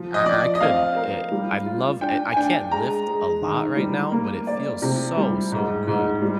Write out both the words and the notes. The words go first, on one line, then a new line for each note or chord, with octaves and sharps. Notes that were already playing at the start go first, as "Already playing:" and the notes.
I I could, eh I love, eh I can't lift a lot right now, but it feels so, so good.
Already playing: F3
D#5
F3 D5
D#5
C4 F5
A#4
G3
F4
D4 G5
G#5
D4 G5
G#3 A#5
G#3
D#3
G3
A#3
D5
C3
G3
G#2
G#2
G3